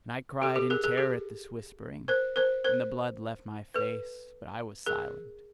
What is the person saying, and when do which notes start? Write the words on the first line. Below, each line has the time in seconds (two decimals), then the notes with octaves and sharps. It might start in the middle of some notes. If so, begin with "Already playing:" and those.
And I cried in terror at this whispering, and the blood left my face: but I was silent.
0.42 G4 A4
0.56 G4 A4
0.70 G#4 A#4
0.84 G#4 A#4
0.97 G4 A4
2.08 A#4 C5
2.36 A#4 C5
2.64 A#4 C5
3.74 A4 B4
4.86 G#4 A#4